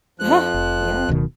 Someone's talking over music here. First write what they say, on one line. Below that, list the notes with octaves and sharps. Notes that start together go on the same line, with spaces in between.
Uh-huh. Yeah.
F2 F3 F#6
F1
D1 B2 D#3